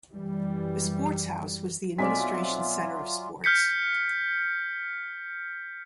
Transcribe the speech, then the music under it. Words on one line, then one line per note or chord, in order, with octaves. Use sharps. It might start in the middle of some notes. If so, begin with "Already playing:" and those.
The Sports House was the Administration Centre of Sports.
F#2 E3 G3
B1 F#3 C4 F4 D5 E5 G#5 B6
F6 G6 B6 C#7